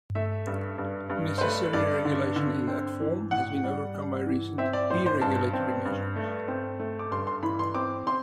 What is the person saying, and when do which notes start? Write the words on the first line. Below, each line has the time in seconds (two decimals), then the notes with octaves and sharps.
Necessary regulation in that form has been overcome by recent deregulatory measures.
0.15 A3 E5
0.47 G2
0.78 G2
1.10 G2
1.38 C5
1.41 A3 B4
1.73 G2 D5
2.05 D3
2.36 D3
2.68 C4
3.00 E3
3.31 A2 F#5
3.64 G3
3.95 G3
4.26 E3
4.58 C4 E5
4.73 D5
4.90 A2 C5
5.06 C5
5.21 G2 A5
5.53 C4
5.85 G2
6.16 A3
6.48 C4
6.80 A3
6.99 D6
7.11 G2 C6
7.27 C6
7.43 E3 B5
7.59 C6
7.74 C4 D6
8.07 C4 C6